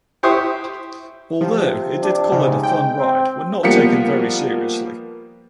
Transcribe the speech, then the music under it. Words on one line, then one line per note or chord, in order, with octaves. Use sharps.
Although, it did call it a fun ride when not taken very seriously.
E4 G4 C5 C6 C#6 D#6
C3 F3
D4
G#2 C#3
G5
C4
F3 G3 A#3 B3 B6 C#7